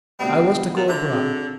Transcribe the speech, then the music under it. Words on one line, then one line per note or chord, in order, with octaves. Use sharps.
I was to go abroad.
D2 B2 G3 C4
A#2
D3 E5 A#5
C4 F#4 G#4